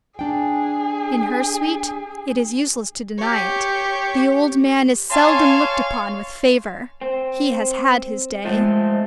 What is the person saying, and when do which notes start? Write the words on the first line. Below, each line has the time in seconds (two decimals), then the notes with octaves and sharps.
In her suite--it is useless to deny it--the old man is seldom looked upon with favour: he has had his day.
0.19 D4 G#4 G5
3.18 G4 C#5
5.11 C#5 F5 G#5 A5 C6
7.01 C4
8.45 F3 G#3 A3 C4